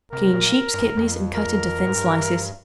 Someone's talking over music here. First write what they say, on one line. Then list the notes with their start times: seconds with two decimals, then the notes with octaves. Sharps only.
Clean sheep's kidneys and cut into thin slices.
0.12 C3 A#4
0.34 A#2
0.74 G2
0.81 F2
0.97 F2
1.35 A#4
1.87 G#2
1.96 G2